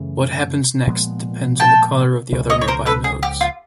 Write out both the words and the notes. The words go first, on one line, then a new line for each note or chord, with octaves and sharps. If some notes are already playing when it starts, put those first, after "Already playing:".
What happens next depends on the color of other nearby nodes.
Already playing: F#2 C#3 E3 A3
A#2 F3 G#3 B3
G5 A5
C#2 C#3 F3
C#5 D#5
C#5
A#4 C5
A4 B4
G#4
G4
F4